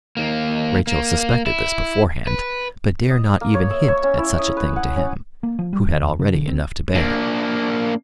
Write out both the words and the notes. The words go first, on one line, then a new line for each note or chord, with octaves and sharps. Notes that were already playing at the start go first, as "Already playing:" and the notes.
Rachel suspected this beforehand, but dare not even hint at such a thing to him, who had already enough to bear.
D#2 A#3
A#3
E4
B4
D#5
A#3
C#5
E5
C#5
C#4
E4
D#5
B4
F#5
C#4
A#3
F3
G3
D2
E2
C#3
D3
C4
A#3 D4